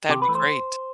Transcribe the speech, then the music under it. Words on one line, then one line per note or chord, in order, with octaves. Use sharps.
That'd be great.
C3 G4
B4
E3 A3
C5